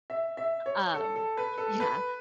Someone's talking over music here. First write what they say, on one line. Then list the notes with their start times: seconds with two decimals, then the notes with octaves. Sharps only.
Um, yeah.
0.10 E5
0.37 E5
0.66 C#5
0.94 A4
1.16 A4
1.37 B4
1.58 A4
1.80 B4